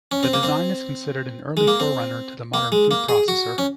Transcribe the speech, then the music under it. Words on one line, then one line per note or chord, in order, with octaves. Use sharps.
The design is considered an early forerunner to the modern food processor.
C#4
C4
A#3
C4
G#3
A#3
C4
A#3
G#3
A#3
G#4
F#4
C#4